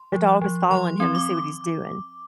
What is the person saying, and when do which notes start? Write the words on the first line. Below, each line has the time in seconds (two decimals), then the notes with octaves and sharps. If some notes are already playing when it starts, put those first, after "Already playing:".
the dog is following him to see what he's doing.
Already playing: C6
0.12 F3
0.41 F3
0.70 F3 C6
1.00 C4
1.15 D6